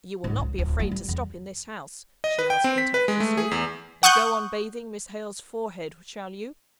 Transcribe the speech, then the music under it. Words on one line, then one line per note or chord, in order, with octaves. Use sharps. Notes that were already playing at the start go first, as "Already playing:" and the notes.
You will not be afraid to stop in this house,' she asked contemptuously, 'and go on bathing Miss Hale's forehead, shall you?
C#2 G#2
C#2
D1
G3 A3
G3
E2
D#5
B4
G5
C4
B6
B4
G#3
A3
G#4
E2
F#5 C#6 D#6 F#6 G6